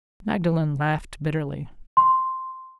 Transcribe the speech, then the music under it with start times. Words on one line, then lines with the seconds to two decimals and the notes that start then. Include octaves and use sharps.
Magdalen laughed, bitterly.
1.97 C6